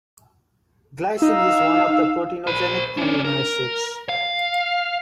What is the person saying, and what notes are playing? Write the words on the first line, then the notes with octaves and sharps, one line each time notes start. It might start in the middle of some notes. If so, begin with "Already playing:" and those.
Glycine is one of the proteinogenic amino acids.
D#4 F5 E6
C5 B5
C#4 D4
A#4
F5